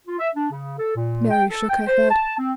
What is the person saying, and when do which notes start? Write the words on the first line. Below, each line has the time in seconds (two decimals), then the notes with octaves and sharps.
Mary shook her head.
0.07 F4
0.19 E5
0.36 D4
0.51 C#3
0.79 A4
0.96 A#2
1.31 G5
1.50 A4
1.69 G5
1.87 C5
2.10 A5
2.39 C4